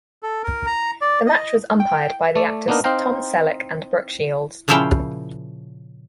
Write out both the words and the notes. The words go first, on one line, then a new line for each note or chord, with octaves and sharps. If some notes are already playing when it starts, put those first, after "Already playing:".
The match was umpired by the actors Tom Selleck and Brooke Shields.
A4
A#4
A#5
D5
D#5
G5
A3 D5
A#3 B3 D4 D#4 A#4
C4 D#4 C5 F5 G5 A#5
A#2 C#3 F3 E4 F5 G5